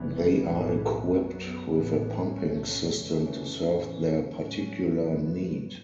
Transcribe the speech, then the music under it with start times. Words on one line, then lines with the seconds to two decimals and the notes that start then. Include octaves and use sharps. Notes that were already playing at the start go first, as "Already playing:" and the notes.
They are equipped with a pumping system to serve their particular need.
Already playing: F#1 E2 E3 B3
0.41 B1 A2 E3 B3
1.06 F#2 F#3 B3
1.71 A1 A2 E3 B3
2.36 B1 A2 A3 C#4
3.00 F#1 F#2 E3 A3 C#4
3.65 A2 E3 C#4
4.29 A2 F#3 C#4
4.94 A2 F#3 B3